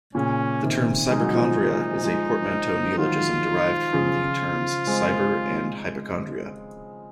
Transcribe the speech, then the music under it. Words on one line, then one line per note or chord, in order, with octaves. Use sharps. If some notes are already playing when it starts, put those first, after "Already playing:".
The term "cyberchondria" is a portmanteau neologism derived from the terms cyber- and hypochondria.
A#2 C#3 C#4
C3 D#3
G#3 D#4
F#3
F3 G#3
F3 G#3
F3
D#3 F#3 F4
C#3 F3
G#3 C4